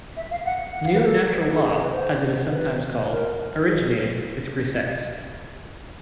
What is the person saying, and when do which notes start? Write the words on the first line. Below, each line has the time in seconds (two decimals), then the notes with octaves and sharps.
"New Natural Law" as it is sometimes called, originated with Grisez.
0.17 E5
0.31 F5
0.45 F#5
0.75 F#5
0.85 F5
0.94 B4
1.04 A4
1.55 A4
1.63 G#4
1.82 B4
1.92 C5
2.50 B4
3.08 A#4
3.67 G#4